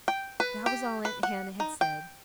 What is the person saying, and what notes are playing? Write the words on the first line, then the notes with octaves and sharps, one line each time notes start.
That was all Aunt Hannah had said.
G5
B4
G4
B4
F#5
D#4
G5